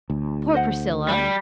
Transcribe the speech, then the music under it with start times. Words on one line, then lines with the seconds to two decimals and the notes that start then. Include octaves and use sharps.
Poor Priscilla!
0.10 D2
0.54 C5 D#5 F#5
1.08 G3